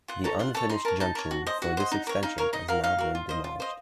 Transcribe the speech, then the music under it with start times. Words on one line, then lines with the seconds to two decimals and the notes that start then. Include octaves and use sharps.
The unfinished junction for this extension has now been demolished.
0.08 F4 F#5
0.24 A4 C#5 A#5
0.39 F4 F#5
0.54 A4 C#5 A5
0.69 D#4 C6
0.85 A#4 C#5 A5
1.00 D#4 A5
1.15 A#4 C#5
1.31 F#4
1.47 C5 D#5
1.62 F#4 F#5
1.77 C5 D#5
1.92 D#4
2.07 A#4 C#5
2.23 D#4 F5
2.38 A#4 C#5
2.53 D#4 D#5
2.68 F#4 A#4 F5
2.84 D#4 F5
2.98 F#4 A#4
3.15 F4
3.29 C5 D#5
3.44 F4
3.60 C5 D#5